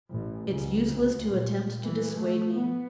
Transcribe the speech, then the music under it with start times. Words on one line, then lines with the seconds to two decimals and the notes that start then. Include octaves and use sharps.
'It's useless to attempt to dissuade me.'
0.11 A1
0.51 C#2
0.88 D2
1.26 A#2
1.82 E3
2.14 A3
2.53 B3